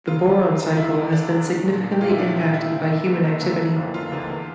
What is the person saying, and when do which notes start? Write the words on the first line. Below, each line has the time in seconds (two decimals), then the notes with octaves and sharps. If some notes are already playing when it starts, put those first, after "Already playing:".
The boron cycle has been significantly impacted by human activity.
0.07 E1 F4
0.25 E2 D3
0.43 E1
0.60 E2 D3
0.73 F4
0.77 E1 E4
0.95 E2 D3 E4
1.13 E1 D4
1.30 E2 D3
1.48 A#1
1.65 A#2 F3
1.84 A#1
1.92 G4
2.01 A#2 F3 F4
2.10 E4
2.18 A#1 D4
2.36 A#2 F3 E4
2.54 A#1 E4
2.71 A#2 F3
2.89 F1
3.06 F2 D3 F3 A#3
3.24 F1
3.41 F2 D3 F3 A#3
3.60 F1
3.76 F2 D3 F3 A#3
3.94 F1 F4
4.12 F2 D3 F3 A#3
4.29 E2